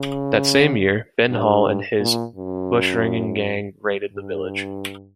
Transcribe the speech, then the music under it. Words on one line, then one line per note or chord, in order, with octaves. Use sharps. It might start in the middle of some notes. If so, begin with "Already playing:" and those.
That same year, Ben Hall and his bushranging gang raided the village.
Already playing: C#3
G2
A#2
F#2
G2